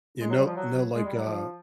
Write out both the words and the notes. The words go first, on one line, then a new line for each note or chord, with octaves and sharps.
You know no, like, uh,
G#3
F#3
G3
F3
F#3
G#3
G3
F#3
F3